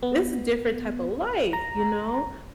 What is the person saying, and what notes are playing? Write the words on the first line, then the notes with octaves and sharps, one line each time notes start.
this is different type of life, you know."
B3
A#5